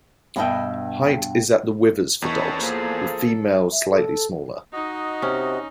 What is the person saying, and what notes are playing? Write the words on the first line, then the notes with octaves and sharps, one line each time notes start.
Height is at the withers for dogs, with females slightly smaller.
G2 B2 B4 D#5 E5 G5
E2 D#3 C#4 E4 C#5 A5
F3 A#3 G#4 A4
E5
A4
D#4 F#4 D#5
C3 C#4